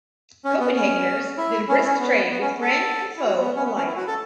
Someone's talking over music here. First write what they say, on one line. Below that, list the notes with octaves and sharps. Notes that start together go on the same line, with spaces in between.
Copenhageners did a brisk trade with friend and foe alike.
C#4
B3
C#4
E4
C#4
E4
C#4
B3
B3
C#4
A4
E4
F#4
B3
C#4
B3
C#4
E4
F#4
A4